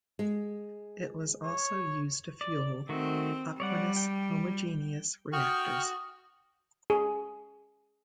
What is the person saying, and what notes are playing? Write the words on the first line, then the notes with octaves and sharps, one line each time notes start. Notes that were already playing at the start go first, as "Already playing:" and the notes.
It was also used to fuel aqueous Homogeneous Reactors.
G#3
C#5
D5
D#3 A3 C4 F#4
G3 C#5 D5 F#5
G5
F#4 G5 C#6 D#6 F6
G#4